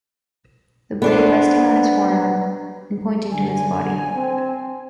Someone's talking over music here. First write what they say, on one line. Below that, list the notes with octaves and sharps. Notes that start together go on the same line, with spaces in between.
The blade resting on his forearm and pointing to his body.
B3 D4 C5
D3 G#5
C4